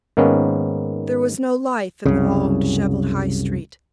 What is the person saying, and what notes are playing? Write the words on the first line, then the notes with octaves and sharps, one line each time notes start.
There was no life in the long, disheveled High Street.
G#2 D#3 A#3 B3 C#4
C2 F#2 C#3